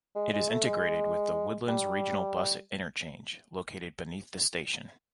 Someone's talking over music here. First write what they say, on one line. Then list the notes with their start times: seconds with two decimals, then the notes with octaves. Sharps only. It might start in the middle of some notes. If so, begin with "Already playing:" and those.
It is integrated with the Woodlands Regional Bus Interchange located beneath the station.
0.16 G#3
0.33 G#3
0.50 A3
0.67 G#3
1.68 G3